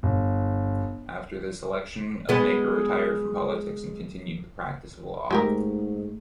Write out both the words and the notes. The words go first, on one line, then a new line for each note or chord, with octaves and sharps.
After this election, Ellmaker retired from politics and continued the practice of law.
G1
G#3 B3
G#2 G#3 A3 G4 A#4